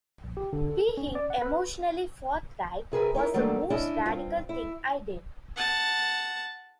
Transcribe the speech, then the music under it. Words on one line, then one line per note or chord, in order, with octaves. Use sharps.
Being emotionally forthright was the most radical thing I did.
A#1
G4
D3
A4
C#4
D5
F#5
B4
C3 G#4 A#4 B4
C#4 D#4 E4 A#4
D#3 F#3 G3 A3 A#3 D4
C#4 D4 E4 D#5
G2 C4 F4
E4
F#5 A5